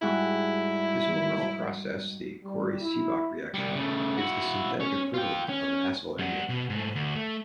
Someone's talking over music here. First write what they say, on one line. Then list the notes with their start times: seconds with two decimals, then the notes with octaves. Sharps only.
This overall process, the Corey-Seebach reaction, gives the synthetic equivalent of an acyl anion.
0.02 G#2 G3 E4 F#4
2.43 G3
2.82 E4
3.54 C2 G3
3.76 C#3 A3
4.17 E4 F#4
4.80 C#4 C#5
5.14 F4 G5
5.49 C#4
6.19 G3 F#5
6.49 B2
6.70 G#2 A3
6.95 D2
7.16 A3